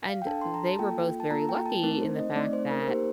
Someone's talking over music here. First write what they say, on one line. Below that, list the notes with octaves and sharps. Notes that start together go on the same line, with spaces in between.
and they were both very lucky in the fact that
F5
G5
D4 A4 A5
C6
A#5
A5
A#3 F4 A4 G5
A5
A#3 F4 A4 A#5
G5
A5
A3 C4 D#4 A#4
C5
D#5
A3 C4 D#4 D5
C5
A#4
A#4
A#3 D#4 G4 C5